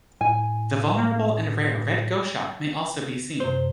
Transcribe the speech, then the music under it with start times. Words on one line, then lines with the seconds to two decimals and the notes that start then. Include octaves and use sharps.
The vulnerable and rare red goshawk may also be seen.
0.21 A2 G#5
3.40 F#2 C3 C5